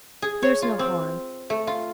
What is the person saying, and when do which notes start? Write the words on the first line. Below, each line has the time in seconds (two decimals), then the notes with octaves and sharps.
'There's no harm.
0.22 G#4
0.43 C#5
0.62 F4
0.79 C4
1.50 A3
1.67 F4